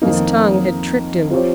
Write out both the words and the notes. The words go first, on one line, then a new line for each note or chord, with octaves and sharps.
His tongue had tricked him.
F2 D#3 A#3 D#4
F3 C4 G4 C#5